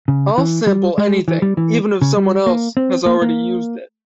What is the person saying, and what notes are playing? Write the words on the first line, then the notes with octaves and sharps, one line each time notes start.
I'll sample anything, even if someone else has already used it.
C#3
E3
G3
G#3
E3
G3
E3
C#3
G3
A#3
C4
A#3
A#3